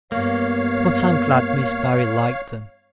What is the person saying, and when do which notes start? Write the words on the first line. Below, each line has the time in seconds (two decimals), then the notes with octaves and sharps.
But I'm glad Miss Barry liked them.
0.12 G2 A#3 B3 C#5 F5